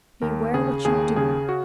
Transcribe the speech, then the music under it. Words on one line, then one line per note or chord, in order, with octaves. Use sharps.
Beware what you do.
D#2 A#4
C#3 G#4
D#2 G#4
C#3 G#4
F#4